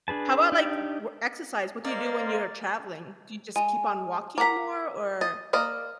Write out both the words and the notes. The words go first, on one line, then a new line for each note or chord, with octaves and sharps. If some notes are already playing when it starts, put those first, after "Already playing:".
How about, like, w exercise? What do you do when you're traveling? Do you just keep on walking more? Or
D4 G#4 B4 A5
D4 D#4 G4 D5
A#3 C5 D5 D#5 F5
G#3 G#5
A#4 F#5 A#5 D6 B6
D#5 A6
A#3 D5 D#5 F6